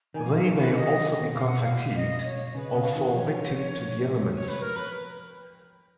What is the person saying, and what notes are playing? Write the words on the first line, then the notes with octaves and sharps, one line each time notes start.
They may also become fatigued or fall victim to the elements.
D#3 G#5
F3
D#3 F5
B4
D#5
B2 F5
F#5
F5
D#5
C#5
C#3 B4
C#3
D#3
F3 C#5
C#5
B4
A#4
B4